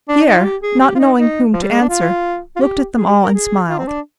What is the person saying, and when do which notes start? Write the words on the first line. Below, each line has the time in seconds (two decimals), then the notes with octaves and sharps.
Pierre, not knowing whom to answer, looked at them all and smiled.
0.09 D4
0.27 D#4
0.38 F4
0.44 G4
0.62 G#4
0.80 G4
0.95 F4
0.99 D#4
1.17 D#4
1.53 F3
1.62 G3
1.71 G#3
1.80 D4
1.89 F4
2.56 F4
2.61 G4
2.97 G#4
3.06 G4
3.24 A#4
3.34 G#4
3.69 F4
3.78 C4
3.87 D4